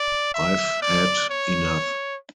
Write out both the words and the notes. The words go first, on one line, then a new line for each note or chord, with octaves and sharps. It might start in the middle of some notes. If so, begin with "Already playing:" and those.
I've had enough.
Already playing: D5
E5
D5
C#5